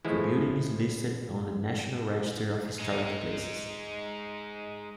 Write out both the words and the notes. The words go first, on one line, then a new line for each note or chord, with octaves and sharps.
The building is listed on the National Register of Historic Places.
E3 F3 G#3 A3 E4
G#3 D#4